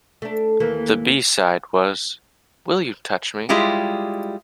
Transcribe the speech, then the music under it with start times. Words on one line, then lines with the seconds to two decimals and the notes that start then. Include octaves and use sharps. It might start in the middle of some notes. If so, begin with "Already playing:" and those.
The B-side was "Will You Touch Me".
0.22 A3 D4
0.60 D#2 E3 A#3
3.49 G3 G#3 E4 F4 G4